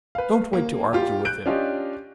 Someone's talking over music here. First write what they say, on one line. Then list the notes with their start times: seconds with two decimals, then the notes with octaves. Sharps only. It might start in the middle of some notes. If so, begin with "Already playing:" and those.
Don't wait to argue with him.
0.15 B4 F5
0.53 A#3
0.93 F4 G4
1.25 F#6 G6 D7
1.46 C#4 D4 F4 G4 D#5